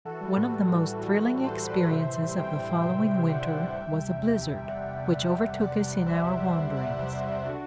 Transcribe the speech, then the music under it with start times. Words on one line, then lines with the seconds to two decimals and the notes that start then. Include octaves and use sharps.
One of the most thrilling experiences of the following winter was a blizzard, which overtook us in our wanderings.
0.05 E3 F#4 A4
0.21 G3
0.36 A2
0.51 A2
0.67 E3
0.82 G3
0.98 A2
1.13 A2
1.29 E3
1.44 G3 A4 C5
1.60 A2
1.67 B4 D5
1.75 A2
1.90 C3 C5 E5
2.05 E3
2.21 G3
2.37 D2 E5 G5
2.52 C3
2.68 E3
2.83 G3 E5 G5
2.98 D2
3.14 C3
3.29 E3 D5 F#5
3.44 G3
3.60 D2
3.75 C3 E5 G5
3.91 G3
4.06 E2
4.21 E2
4.37 C3
4.52 G3
4.68 E2 D5 F#5
4.84 E2
4.98 C3
5.14 G3
5.30 E2
5.45 E2
5.60 C3 D5 F#5
5.76 G3
5.91 C2
6.06 C2 C5 E5
6.22 C3
6.37 G3
6.53 C2
6.68 C2
6.76 D5 F#5
6.84 C3
6.99 G3 C5 E5
7.15 C2
7.30 C2
7.45 D3 D4 F#4